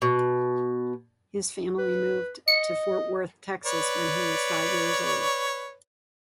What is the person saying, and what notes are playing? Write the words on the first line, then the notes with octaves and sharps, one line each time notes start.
His family moved to Fort Worth, Texas, when he was five years old.
B2
B4
D#5 C#7
B4 C#5 D5